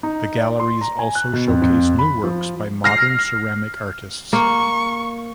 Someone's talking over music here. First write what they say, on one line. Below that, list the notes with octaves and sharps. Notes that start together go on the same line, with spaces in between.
The galleries also showcase new works by modern ceramic artists.
D#4
D5
C6
A#5
G#5
F#6
B2
F2
F2
B5
F3
F6 A#6 C7
A#3 C#6